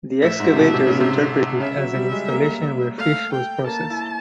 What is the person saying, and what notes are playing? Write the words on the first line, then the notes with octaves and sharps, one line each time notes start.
The excavators interpret it as an installation where fish was processed.
A2 E5
G#2
C3
B2
C3
C#3
C3
C#3 E5
F#3
G3
G#3
A#3
A3 F5
G5
A#3 A5
E4